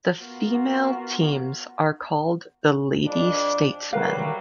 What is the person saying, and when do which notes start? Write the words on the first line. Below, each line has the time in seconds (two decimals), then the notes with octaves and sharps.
The female teams are called the Lady Statesmen.
0.21 B3 F4 F#4 A#4
3.04 F2 D4
3.93 F#3 G3 A#4 B4 F5